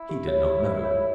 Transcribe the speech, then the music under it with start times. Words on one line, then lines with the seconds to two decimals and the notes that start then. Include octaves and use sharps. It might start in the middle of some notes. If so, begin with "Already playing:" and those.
He did not know.
Already playing: E4
0.09 G4
0.28 C#5
0.46 G4
0.66 E5
0.85 C#5